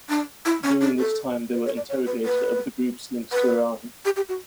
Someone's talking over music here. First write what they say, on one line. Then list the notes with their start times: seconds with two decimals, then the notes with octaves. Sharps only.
During this time they were interrogated over the groups links to Iran.
0.09 D4
0.45 E4
0.63 C#4
0.81 D4
0.99 A4
1.53 B4
1.65 C#5
1.77 D5
1.89 C#5
2.06 B4
2.25 B4
3.32 B4
4.05 G4
4.16 G4
4.29 F#4